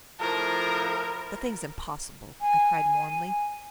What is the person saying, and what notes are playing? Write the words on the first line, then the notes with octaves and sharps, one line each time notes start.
"The thing's impossible!" I cried warmly.
A2 F3 A#4
G#5